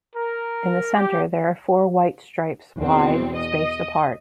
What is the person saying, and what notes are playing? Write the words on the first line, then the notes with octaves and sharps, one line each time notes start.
In the center there are four white stripes wide, spaced apart.
A#4
G4
E2 B2 C4
D#5